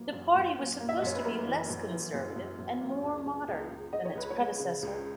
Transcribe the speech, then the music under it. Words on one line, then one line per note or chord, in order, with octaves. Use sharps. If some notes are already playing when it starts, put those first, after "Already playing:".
The party was supposed to be less conservative and more modern that its predecessor.
Already playing: F#2 E3 A#3
F#2
F#2
A#3
A#3
E5
D#5
F#2 C#5
B4
A#3 A#4
E3
F#2
E3
F#2
F#2
F#2
A#3
C#2
C#2
C#2
C#2
C#2 D#5
C#5
C#2 B4
C#5
G#3
C#3
C#2